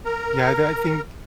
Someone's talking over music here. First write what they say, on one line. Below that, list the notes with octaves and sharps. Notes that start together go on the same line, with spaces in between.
yeah, th I I think
A#4 A#5